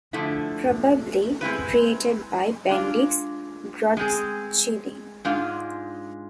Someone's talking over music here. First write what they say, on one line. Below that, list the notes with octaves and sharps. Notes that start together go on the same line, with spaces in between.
Probably created by Bendix Grodtschilling.
D3 F3 A3 E4
G#3 C4 E4 B4
G#3 D4 F4
G#3 C4 G#4
G#2 G#3 D4 F4